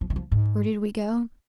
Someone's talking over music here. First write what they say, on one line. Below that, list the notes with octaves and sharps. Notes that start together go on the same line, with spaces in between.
Where did we go?
F3
D#3
F3
G#2